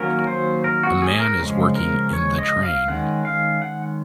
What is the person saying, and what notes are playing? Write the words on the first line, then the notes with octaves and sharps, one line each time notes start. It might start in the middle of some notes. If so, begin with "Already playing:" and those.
A man is working in the train.
Already playing: D#3 F#3 A#3 C#4 A#4
C5
A#4
F#4
G#4
A#4
C#3 F3 G#3
A#4
C#5
D#5
F5
D#3 G#3 C#4 F#5
F5
F#5